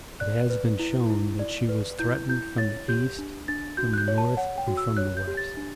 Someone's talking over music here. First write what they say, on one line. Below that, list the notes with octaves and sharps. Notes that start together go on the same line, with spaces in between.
It has been shown that she was threatened from the east, from the north, and from the west.
D5 F#6
B4
E4
E4
D5
B4
E4 G6
E4 G6
C#5 A6
G4 G6
D4
D4 A6
F#4 G6
F#6
G6
C#5
A5
C#5 F#5
G5
F#4
E6
C#5 F#6
G6
G4
A6
D4